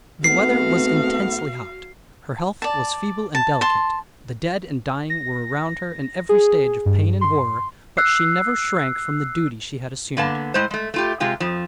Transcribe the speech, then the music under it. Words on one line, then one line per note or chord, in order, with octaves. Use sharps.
The weather was intensely hot; her health was feeble and delicate; the dead and dying were around her in every stage of pain and horror; but she never shrank from the duty she had assumed.
G#2 A3 B3 C4 F#4 F5 C7
D5 A5
A5
A5 C6
A#6
G#4
G2
C6
E6 F#6 C7
D3 A#3 B3 A5
A2 G#3 C5
G#3 A3
A3 F4 G4
C3 G#3 F4 G4
F2 F3